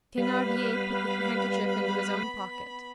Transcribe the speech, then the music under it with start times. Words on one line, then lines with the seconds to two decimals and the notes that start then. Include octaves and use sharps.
Thenardier put the handkerchief into his own pocket.
0.18 G3 B3 B4 F5 B5